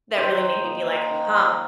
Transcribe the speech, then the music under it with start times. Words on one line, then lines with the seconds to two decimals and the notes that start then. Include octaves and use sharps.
that really made me be like, "Huh,
0.18 D#3 C5
0.64 A#3 D#4 D#5
1.11 D#3